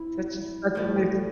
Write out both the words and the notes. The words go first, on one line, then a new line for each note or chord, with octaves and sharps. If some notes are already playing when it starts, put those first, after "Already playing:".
Such a such a nice
Already playing: C4 E4
A2 F3 A3